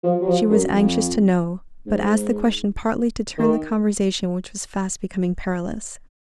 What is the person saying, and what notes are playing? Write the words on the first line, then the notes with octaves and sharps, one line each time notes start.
She was anxious to know, but asked the question partly to turn the conversation which was fast becoming perilous.
F3
F#3
F3
F#2
F2
G#2
D#3